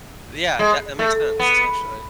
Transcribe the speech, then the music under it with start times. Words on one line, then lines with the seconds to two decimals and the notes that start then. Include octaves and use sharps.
Yeah, that that makes sense, actually.
0.59 G#3
0.99 A3
1.40 B3